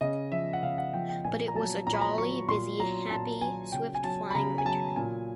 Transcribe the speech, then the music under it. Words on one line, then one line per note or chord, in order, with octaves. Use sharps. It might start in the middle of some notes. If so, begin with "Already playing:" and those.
But it was a jolly, busy, happy swift-flying winter.
C#3 D#5
F3 E5
F#5
C#3 F5
F#5
F3 G5
G5
A#2 G#5
A#5
F#3 A5
A#2 A#5
B5
A#5
F#3 C#6
A#2 C6
F#3 A#5
A#2 A5
F#3 G#5
C#3 G5
G#5
F#3 A5
B5
C#3 A#5
G#5
F#3 A5
A#2 G#5